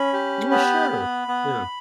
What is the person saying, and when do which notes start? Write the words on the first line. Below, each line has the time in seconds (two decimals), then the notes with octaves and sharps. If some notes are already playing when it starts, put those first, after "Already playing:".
Well, sure. Yeah,
Already playing: C#4 B5
0.13 G4
0.51 B3 B5
0.90 B3
1.28 B3